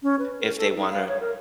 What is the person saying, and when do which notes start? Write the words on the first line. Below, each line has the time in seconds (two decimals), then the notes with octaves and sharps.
if they wanna
0.03 C#4
0.19 B4
0.40 A#4
0.57 A4
0.75 D#4
0.90 F5
1.08 C#5
1.20 A#4